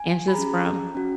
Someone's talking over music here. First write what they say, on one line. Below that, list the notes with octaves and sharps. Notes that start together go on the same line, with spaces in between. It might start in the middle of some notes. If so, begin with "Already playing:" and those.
And just from
Already playing: G#5
B5
C#4 G#4 A#5
C#4 F#4